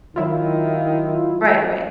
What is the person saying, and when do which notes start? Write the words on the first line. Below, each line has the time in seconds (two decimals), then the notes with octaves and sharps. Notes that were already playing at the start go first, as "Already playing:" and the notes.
Right, right.
0.16 D#3 F#3 E4 F4